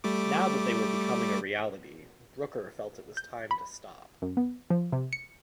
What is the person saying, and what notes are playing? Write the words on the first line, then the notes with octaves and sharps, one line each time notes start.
Now that they were becoming a reality, Brooker felt it was time to stop.
G3 A3 D6
G6
B5
F#2
B3
F3
C3
C#7